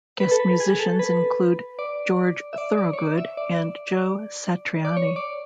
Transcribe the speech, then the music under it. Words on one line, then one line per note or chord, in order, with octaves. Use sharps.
Guest musicians include George Thorogood and Joe Satriani.
B4
A4
B4
G#4
A4
B4
D5
E5
D5
D5
C#5
D5
E5
D5
D5
C#5
D5